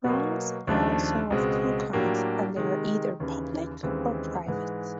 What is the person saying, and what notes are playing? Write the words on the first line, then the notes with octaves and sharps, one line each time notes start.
Wrongs are also of two kinds and they are either public or private.
B2 F#3 A#3
D#2 C#3 F3 A3 D4
C#2 B2 G#3 C4
A2 F#3 A#3 D4 G4
C3 D#3 G#3
D#2 C#3 E3
D#2 C#3 E3 G#3 C4
G#2 E3 G#3